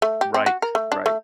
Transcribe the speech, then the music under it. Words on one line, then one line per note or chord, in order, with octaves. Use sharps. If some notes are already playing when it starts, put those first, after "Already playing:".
Right, right.
A3
G4
C4
F#4
A#4
A3
D4
A3